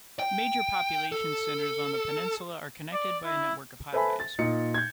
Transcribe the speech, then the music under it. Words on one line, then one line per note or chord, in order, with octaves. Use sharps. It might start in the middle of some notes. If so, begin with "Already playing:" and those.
Major population centres on the peninsula are connected by a network of highways.
G5
A4
D5
E4
A4 B4 C5 E5 G#5 B5
A6
A#2 D#4 C#7
G6 G#6